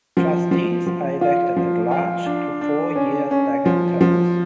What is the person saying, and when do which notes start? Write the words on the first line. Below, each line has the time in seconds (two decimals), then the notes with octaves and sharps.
Trustees are elected at-large to four-year staggered terms.
0.17 F3
0.51 F3
0.86 F3
1.21 F4
1.56 F3
1.91 F4
2.26 D4
2.61 D4
2.96 C#4
3.31 C#4
3.66 F3
4.01 F3